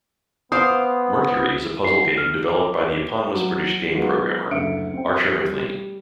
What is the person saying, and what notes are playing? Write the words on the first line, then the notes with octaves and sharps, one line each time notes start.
"Mercury" is a puzzle game developed by the eponymous British game programmer, Archer MacLean.
B3 C5 F5 D6 D#6
C7
F6
D6
F#3
F#3 G#3 B3 D#4 F4 F#4
F#1 D2 D3 E5 C#7 D7
C4 G5
G3